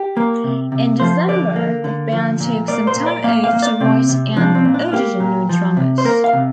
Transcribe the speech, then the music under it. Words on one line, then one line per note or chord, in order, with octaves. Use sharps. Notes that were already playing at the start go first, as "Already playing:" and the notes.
In December, the band took some time off to write and audition new drummers.
Already playing: G4
A#3
C3
C3
F3 C5
D3 D5
A#3
D3
F3
A#2
A#3 D5
C5
A#2
D5
A#3 F5
F5
A#3
D5
C3 C4
C3
F3 D4
C4
A#2
D4
F4
A#3 G4
A#2
F3
C3
C5
A#3 A#4
F5
C3